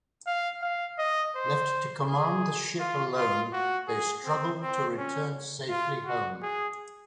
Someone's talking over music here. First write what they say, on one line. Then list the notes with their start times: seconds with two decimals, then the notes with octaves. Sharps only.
Left to command the ship alone, they struggle to return safely home.
0.27 F5
0.62 F5
0.98 D#5
1.35 C5
2.07 G#4
2.80 F4
3.16 F4
3.53 F#4
3.88 G#4
4.25 C4
4.61 C4
4.98 C#4
5.70 F4
6.06 F#4
6.42 G#4